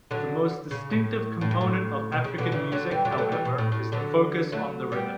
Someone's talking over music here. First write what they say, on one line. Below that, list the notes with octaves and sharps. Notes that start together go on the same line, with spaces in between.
The most distinctive component of African music, however, is the focus on the rhythm.
D3 F#3
C#3
A2
A2
G2
A2
B2
C#3
B2 D3
C#3 E3
D3 F#3
E3 G3
D3 F#3
G3
F#3 A3
E3 G3
B2
A2
A2
D3 F#3
F#3 A3
G3 B3